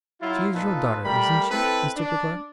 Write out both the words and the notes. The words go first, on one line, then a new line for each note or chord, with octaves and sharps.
'She is your daughter, isn't she, Mr. Peggotty?'
F#3 E4 F4
A#2 D#4 F4 A4 B4
G3 A3 A#4 B5
C4 E4 A4 B4
D4